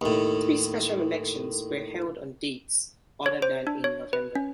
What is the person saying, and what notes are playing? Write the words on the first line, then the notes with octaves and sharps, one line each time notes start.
Three special elections were held on dates other than in November.
D#2 A2
C#5
C5
D4
C#5
B4
C#4